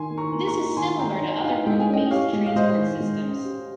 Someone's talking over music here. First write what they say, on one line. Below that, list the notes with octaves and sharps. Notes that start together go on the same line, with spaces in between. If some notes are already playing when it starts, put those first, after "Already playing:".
This is similar to other road-based transport systems.
Already playing: D#3 G#5 C6
A#3
A#5 C#6
A#3
A#5 C#6
D#4
D#3 G#5 C6
D#4 G5 A#5
D#4
G5
D#4 F5 G#5
G#3 G5
G#5
C#4 D#5 G5
G4 C#5 F5
G#3
F5
G#3 C5 D#5
D#3
G#3
C#4
G4